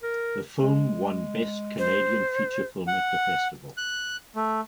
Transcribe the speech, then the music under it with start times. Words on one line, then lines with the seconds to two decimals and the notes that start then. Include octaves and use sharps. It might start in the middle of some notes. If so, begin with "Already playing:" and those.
The film won Best Canadian Feature Film at the festival.
0.03 A#4
0.60 G#3
1.78 C5
2.88 F#5
3.77 F#6
4.36 A3